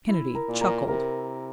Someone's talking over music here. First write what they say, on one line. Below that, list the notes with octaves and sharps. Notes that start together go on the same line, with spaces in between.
Kennedy chuckled.
E4
A#4
A#2
A#4
C3 A#4